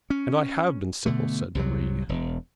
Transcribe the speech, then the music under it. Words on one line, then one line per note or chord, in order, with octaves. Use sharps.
'And I have been civil,' said Marie.
C#4
B2 D3 A3
C2 C3 D#3 F#3
E1